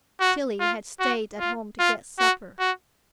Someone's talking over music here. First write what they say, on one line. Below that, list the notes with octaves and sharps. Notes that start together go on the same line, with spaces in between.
Tillie had stayed at home to get supper.
F#4
F4
F#4
F4
F4
F#4
F#4